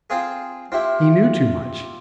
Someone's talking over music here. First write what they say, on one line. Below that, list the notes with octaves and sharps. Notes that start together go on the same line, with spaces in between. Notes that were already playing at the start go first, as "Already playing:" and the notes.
He knew too much.
C4 F4 G#4
C4 E4 F4 G4 E5